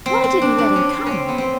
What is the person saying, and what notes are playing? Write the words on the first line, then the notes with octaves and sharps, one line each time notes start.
Why did he let him come?
C4
C4
D4
D4
C#4
C4
C4 C#4
B3
C4